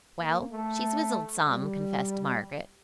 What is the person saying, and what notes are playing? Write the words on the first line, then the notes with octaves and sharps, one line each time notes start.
"Well, she's wizzled some," confessed Margaret.
A#3
A3
G3